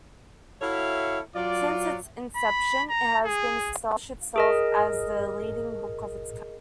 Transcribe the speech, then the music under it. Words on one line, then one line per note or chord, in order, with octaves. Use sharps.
Since its inception, it has established itself as the leading book of its kind.
E4 F#4 A4 C#5 E5 F5
F#3 F4 D5
B5
A#5
G#4
G#4 A#4 D#5